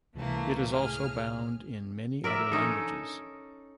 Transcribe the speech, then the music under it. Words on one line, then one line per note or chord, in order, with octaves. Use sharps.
It is also bound in many other languages.
C#2 C3 E3 A3 A#3
A2 G#4 F6
A#4 D5 E5
C#4 D#4 A4